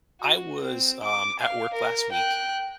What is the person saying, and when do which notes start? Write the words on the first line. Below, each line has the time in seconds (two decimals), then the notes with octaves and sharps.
I was, um, at work last week,
0.21 F#4
0.64 C4
1.04 D6
1.40 F5
1.74 A#4
2.12 G5 F#6